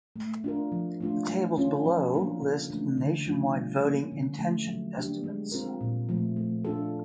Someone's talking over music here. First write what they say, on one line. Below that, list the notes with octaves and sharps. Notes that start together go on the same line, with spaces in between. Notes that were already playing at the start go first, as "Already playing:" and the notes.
The tables below list nationwide voting intention estimates.
A3
D4 F4 A#4
F3
A3 D4 F4
A3
C#4 F4
F3
A#3 D4 F4 A#4
C#3
E3 A3 D4
D3
F3 A3 D4 F4
G3
A#3 C#4
D3
F3 A3
F#3
B3 D4 G4
G#3
C4 F4 A#4
A#2
F3 A3
A3
D4 F4 A4